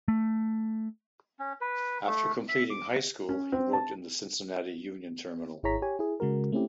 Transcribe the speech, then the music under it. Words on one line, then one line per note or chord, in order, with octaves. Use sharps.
After completing high school he worked in the Cincinnati Union Terminal.
A3
C#4
B4
A3
E5
D6
C#4
C4
A5
G#1 E4 G#4 C#5 A#5 B6
G4 C#5 G#5
E4 G#4
C#3 G#3 F#4 A#4
A3 C4 C#4 E4 G4